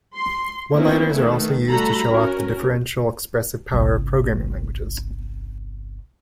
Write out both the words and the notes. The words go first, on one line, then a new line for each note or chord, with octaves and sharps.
One-liners are also used to show off the differential expressive power of programming languages.
C6
F3 A#3 B3 C#4 D#4 E4
D#3 A3 B3
G3 A3 F#4 A4 A#5 B5
C#4 F#4 A#4
G1 C2